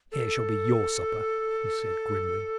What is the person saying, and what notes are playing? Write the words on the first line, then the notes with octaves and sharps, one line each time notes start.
"Here shall be your supper," he said, grimly.
A4